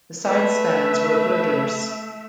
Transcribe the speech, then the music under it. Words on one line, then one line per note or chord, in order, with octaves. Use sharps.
The side spans were girders.
A3 B4 E5